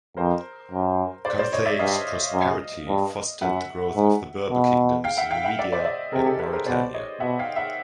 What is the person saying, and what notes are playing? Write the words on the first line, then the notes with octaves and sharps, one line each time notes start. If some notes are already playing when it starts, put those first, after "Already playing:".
Carthage's prosperity fostered the growth of the Berber kingdoms, Numidia and Mauretania.
F2 A#4 C5
F#2
C5 D5
C5 D5
C#5 D#5
D5 E5
G2 D#5 F5
F#2
G2
F#2 E5 F#5
G#2
B2
F5 G5
E5 F#5
F5 G5
E5 F#5
D5 E5
C5 D5
D#5
D5 E5
C3 G#4 A#4
G4 A4
A4 B4
A#4 C5
B2 C5 D5
C#5 D#5
B2 E5 F#5
F5 G5
E5 F#5